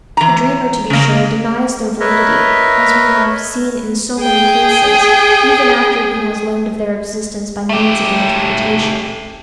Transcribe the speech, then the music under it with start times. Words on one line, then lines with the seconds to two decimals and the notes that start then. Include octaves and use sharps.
The dreamer to be sure denies their validity, as we have seen in so many cases, even after he has learned of their existence by means of the interpretation.
0.17 E3 A#5
0.90 C#3 A#3
2.00 A#4 B4 C#5 D#5 E5
4.22 G#4 G5
7.69 A3 G4